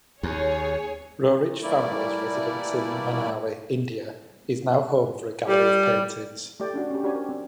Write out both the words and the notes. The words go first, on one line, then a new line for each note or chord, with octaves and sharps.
Roerich family's residence in Manali, India, is now home for a gallery of paintings.
D#2 G#4 C#5
E3 G3 A3 A#3 E4 D5
G3
A3 G4 D5 G5
C#4 D4 F#4
C#4 G4
D4 F#4 G4 C5 C#5 G#5
A#4
C4